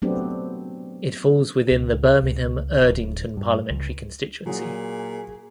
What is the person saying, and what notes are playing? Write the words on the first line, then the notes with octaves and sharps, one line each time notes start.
It falls within the Birmingham Erdington parliamentary constituency.
F#3 A3 B3 C4 D4 G4
C#2
C#2
D1
G2
C#2
A#2 F#3 F#4 G#4